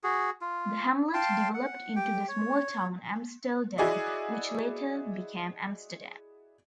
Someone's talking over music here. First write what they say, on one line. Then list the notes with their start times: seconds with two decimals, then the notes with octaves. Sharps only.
The hamlet developed into the small town "Amsteldam", which later became Amsterdam.
0.04 F#4 G#4
0.41 F4
1.14 F5 G5 A5 C6
1.54 F#5
1.96 G4 G5
2.28 C#5
3.78 E4 F#4 G#4 D5 D#5